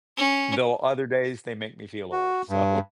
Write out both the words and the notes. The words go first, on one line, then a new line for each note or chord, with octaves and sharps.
Though other days they make me feel old, so
C#4
F#4
G2